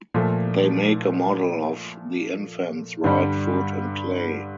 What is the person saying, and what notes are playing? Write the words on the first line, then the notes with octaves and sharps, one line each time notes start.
They make a model of the infant's right foot in clay.
A#2 F3 A3
G2 D3 G3